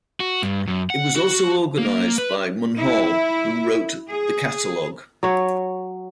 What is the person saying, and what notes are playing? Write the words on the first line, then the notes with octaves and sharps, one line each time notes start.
It was also organized by Munhall, who wrote the catalog.
F#4
G2
F#2
F#5
F#4
A#3
B4
E4
G#4
F#3 C#5